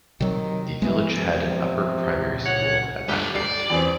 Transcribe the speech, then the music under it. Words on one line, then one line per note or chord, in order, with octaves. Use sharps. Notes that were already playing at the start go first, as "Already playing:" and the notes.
The village had an upper primary school at that point.
C3 D#3 F#3
E3 F3 G#3 B3
C3
C#2 A#2
C#5 F#5
G2 G4 A4
G4 D5 C7
E2 E3 C4